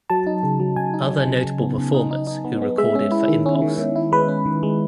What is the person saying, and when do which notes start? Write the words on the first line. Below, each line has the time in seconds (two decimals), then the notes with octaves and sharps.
Other notable performers who recorded for Impulse!
0.10 F#3 A5
0.27 D#4
0.43 C#3
0.60 F#3
0.76 C#3 G#5
0.94 D#4
1.10 F#3
1.27 C#3
1.44 C#3
1.60 B3
1.78 C#3
1.94 D#4
2.11 D#4
2.27 D#4
2.45 B3
2.62 B3
2.78 G#3 E5
2.95 C#4
3.11 E4
3.28 D#3
3.46 C#4
3.62 D#3
3.78 D#3
3.96 E4
4.12 G#3 B4
4.28 C#4
4.46 D#3
4.63 G#3